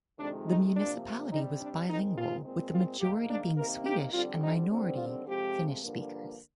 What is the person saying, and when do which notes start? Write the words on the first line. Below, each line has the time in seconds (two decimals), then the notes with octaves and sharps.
The municipality was bilingual, with majority being Swedish and minority Finnish speakers.
0.18 F2 C3 D#3 G#3 D4
0.47 D#4
0.75 C3 F3 A#3 D4
1.31 C3 G3 C4 D#4
1.59 D4
1.88 D#2 D#3 G#3 C4 D#4
2.16 F4
2.44 A#2 G#3 C4
2.72 F4
3.00 G#2 D#3 A#3 G4
3.28 D4
3.56 C3 D#3 A#3 A#4
3.84 G4
4.13 F2 D3 G3 C4 F4
4.41 D#4
4.69 D#2 D3 G3 C4
4.97 F4
5.25 F2 C3 F3 G#3 C4 G4
5.81 G2 D3 F3 A#3